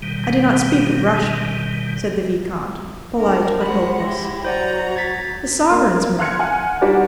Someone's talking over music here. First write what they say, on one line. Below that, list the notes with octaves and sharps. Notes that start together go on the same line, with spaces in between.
I do not speak of Russia," said the vicomte, polite but hopeless: "The sovereigns, madame...
B2 D#3 G3
D4 A#4
G#3 C5 F#5 B5
E4 G4 A#6
F#3 C5 D5 F#5 A#5
G#6 A6 B6
A#3
F5 C6 F6 F#6 G#6 C#7
F#5 G#5
G3 D#4 F#4 G4 B4 D5